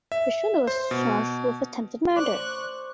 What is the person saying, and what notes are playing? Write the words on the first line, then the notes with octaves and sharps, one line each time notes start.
The shooter was charged with attempted murder.
E5
C5
B2
C5 D5 C#6 F#6